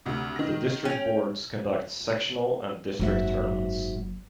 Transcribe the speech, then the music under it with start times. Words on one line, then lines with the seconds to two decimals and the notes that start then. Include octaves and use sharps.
The District boards conduct Sectional and District tournaments.
0.06 D2 C3
0.36 D#3 A#6
0.85 C#4 G5 F7
2.99 F#1 G#2 F#3 F#4 E5